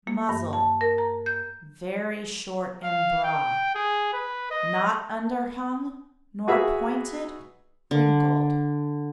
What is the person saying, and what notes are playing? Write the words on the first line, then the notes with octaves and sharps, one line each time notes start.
MUZZLE--Very short and broad; not underhung nor pointed; wrinkled.
A#3
G2
A5
A#4
A#5
G6
F5
G5
G#4
B4
D#5
F#4 G#4 B4 E5
D3